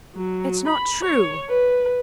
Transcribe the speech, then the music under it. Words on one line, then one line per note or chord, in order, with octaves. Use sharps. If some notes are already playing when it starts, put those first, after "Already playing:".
"It's not true!"
F#3
B5
C#5
B4